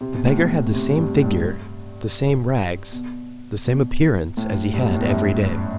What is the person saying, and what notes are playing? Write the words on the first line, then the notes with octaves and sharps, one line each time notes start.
The beggar had the same figure, the same rags, the same appearance as he had every day.
C3
B2
A2
B2
C3
G2
A2
G2
B2
B2
A2
G2
B2
A2
G2
F#2